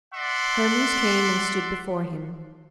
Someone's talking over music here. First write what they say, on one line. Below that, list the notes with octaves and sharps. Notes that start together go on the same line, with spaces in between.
Hermes came and stood before him.
D5 E5 F#5 C6